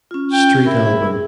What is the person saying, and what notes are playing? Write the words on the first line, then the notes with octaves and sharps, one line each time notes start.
Street album.
C#4 F4
G5
E4 A#4
G#4